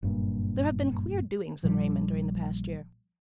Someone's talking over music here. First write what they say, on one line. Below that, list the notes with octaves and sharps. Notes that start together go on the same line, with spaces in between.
There have been queer doings in Raymond during the past year.
F#1 G2 A#2
A#1 A#2 F3 G3